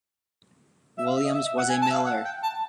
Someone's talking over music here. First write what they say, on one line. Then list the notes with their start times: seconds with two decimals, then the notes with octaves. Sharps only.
Williams was a miller.
0.98 E5
1.06 F5
1.16 E5
1.24 D#5
1.33 E5
1.46 E5
1.58 F#5
1.70 G#5
1.82 A5
1.90 E5
1.94 F5
2.06 F#5
2.25 G5
2.43 A5